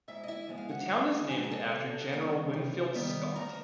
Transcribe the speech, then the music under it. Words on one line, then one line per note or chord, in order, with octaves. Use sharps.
The town is named after General Winfield Scott.
G#2 E4 E5
D#5
E4 E5
F3 G#3 B3
F5
F#4 F#5
G#2
G#4 G#5
F3 G#3 B3 G#4 G#5
A#5
A4 A5
C3
D#3 G3 B3
C3
D#3 G3 B3
D2 A#4 A#5